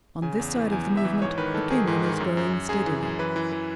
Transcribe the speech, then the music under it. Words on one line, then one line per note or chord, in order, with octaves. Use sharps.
On this side of the movement opinion is growing steadily.
C#3 G#5
E2
E3
E2 G#5
E2
E5
E3
G#2 C#5
D#3 B4
D#3 A4
D#3 G#4
G#2
D#3
F#2
F#2
F#2
F#2 G#4
E3
F#2
E3 B4
E3
E3